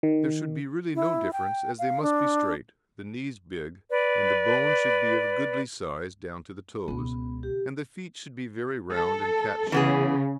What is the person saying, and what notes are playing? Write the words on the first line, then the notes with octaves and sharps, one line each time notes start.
There should be really no difference, as they must be straight, the knees big, and the bone should be of goodly size down to the toes, and the feet should be very round and cat-shaped.
D#3
E4
G5
F5
D4
B4 D5
C#2 B2 B3
G4
A4
C#3 E3 B3 G#4